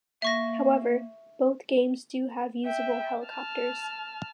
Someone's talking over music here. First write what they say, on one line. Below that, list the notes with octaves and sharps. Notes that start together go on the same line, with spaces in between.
However, both games do have usable helicopters.
A#3 E5 C#6 A#6
E5 G5
A5 F6